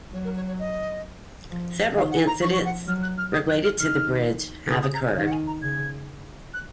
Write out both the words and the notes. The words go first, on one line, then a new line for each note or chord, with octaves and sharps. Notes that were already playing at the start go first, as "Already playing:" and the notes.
Several incidents related to the bridge have occurred.
F#3 C#5
A#4
C#5
C#5
D#5
F3
D#3 F5
F#5
A#5
F3 C#6
C#6
F#5
F#3 F6
F#6
F6
F#3 D#6
F#6
F6
D#3 F6
C#3 D#6
D#6
A#5
G#5
D#3 F5
F#5
G#5
A#5
C#3 G#6
F#6